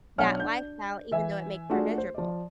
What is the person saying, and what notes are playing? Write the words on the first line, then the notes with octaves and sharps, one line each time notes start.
that lifestyle, even though it makes her miserable.
B1 D4 C#5 F#5 G#5 F6
D4 G6
E3 E5 G#5
A3 D4 F4 F#4 G#4
C5
F3 D5